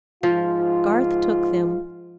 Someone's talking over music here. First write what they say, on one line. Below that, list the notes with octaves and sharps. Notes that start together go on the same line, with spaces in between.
Garth took them.
G#2 F3 F4